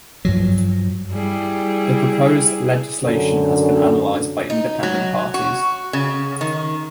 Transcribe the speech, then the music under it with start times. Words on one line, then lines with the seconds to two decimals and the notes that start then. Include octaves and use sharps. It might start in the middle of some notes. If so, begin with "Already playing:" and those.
The proposed legislation has been analyzed by independent parties.
0.25 G2 F3 F#3
1.13 G3 E4 G#4
3.04 F#2 D3
4.50 D#4
4.83 F#3
5.34 F#4
5.93 C#3
6.41 D#3